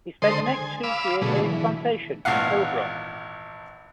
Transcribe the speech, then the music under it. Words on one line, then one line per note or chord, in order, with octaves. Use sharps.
He spent the next two years at his plantation, Milbrook.
D3 G#3 A4 C5 C6 D#6
G#5
F5 B5 D6 E6
B2 D3 F#3 A3 G#4
E3
G#1 E2 A#2 F5 F#5